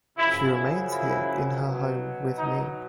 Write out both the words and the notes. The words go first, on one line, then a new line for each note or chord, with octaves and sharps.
She remains here, in her home with me.
F#2 C#3 F3 E4
E4
E4
B2 F#3
D#4